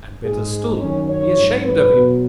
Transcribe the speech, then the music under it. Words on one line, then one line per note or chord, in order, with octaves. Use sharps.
And better still: be ashamed of him!
G#2 G#3 G#4
F#2 D#3 F#3 C#4
C#5
G#2 F#3
B4
B2 F#3